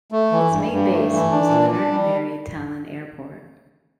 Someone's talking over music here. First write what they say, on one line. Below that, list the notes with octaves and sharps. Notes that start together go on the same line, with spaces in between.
Its main base was Lennart Meri Tallinn Airport.
A3
E3
G2
G2
A3
E3
D4
A#2
D4
G3